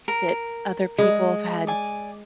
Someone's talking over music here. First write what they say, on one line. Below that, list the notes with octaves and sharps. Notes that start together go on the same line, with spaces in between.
that other people have had
A#4
G#3
D5 G#5